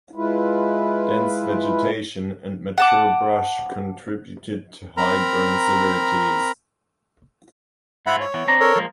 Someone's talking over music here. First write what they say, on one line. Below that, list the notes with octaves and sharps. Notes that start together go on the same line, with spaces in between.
Dense vegetation and mature brush contributed to high burn severities.
G#3 E4 F4 B4
F#5 A5 D6
C4 A#4 A#5 B5
G#2 E4 F4 E5 F#5 B5
C#5
E3 B3
C4 D4 A#5
A4 A#4 C#5
F3 G#3 A#3